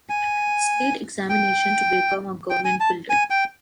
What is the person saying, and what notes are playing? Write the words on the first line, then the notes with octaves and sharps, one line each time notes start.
State examination to become a government builder.
G#5
G5
G5
G#5
A5
G#5
G5